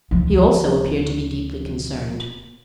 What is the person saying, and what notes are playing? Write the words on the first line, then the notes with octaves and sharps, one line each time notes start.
He, also, appeared to be deeply concerned.
D2 F3